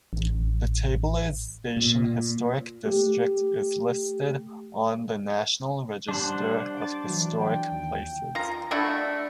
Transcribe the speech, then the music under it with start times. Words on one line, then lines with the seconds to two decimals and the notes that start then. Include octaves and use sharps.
The Tabler's Station Historic District is listed on the National Register of Historic Places.
0.13 A1
1.77 A#2
2.86 A3 G4
6.09 G3 D4 C5 F#5
6.77 D6 A6
7.06 E3 F#3
7.40 G5
7.71 D#2
8.35 F4 A#5
8.71 A3 D4 E4 F#4